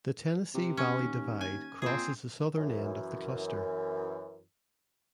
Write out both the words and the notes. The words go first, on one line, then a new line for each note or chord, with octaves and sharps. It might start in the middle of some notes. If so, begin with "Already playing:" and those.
The Tennessee Valley Divide crosses the southern end of the cluster.
C3
C#4
D#2
G#5
A#2 C4 G#4
F#2 E3